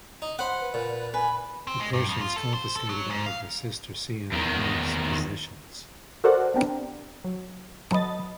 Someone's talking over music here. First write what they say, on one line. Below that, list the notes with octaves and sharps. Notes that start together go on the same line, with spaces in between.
The Prussians confiscated all of the Cistercian Monks' possessions.
D#4
C5 F#5 B5
B4
A#2
B4 G#5
C4
G#3
G2
F2
F4
A4
C5
A4
F#3
G#2
F5
E2 D#3
F#4 A4 A#4 C5 D5 F#5
B3 C4 D4 G4 A#4
F#3
F#3 A4 B4 D#5 A6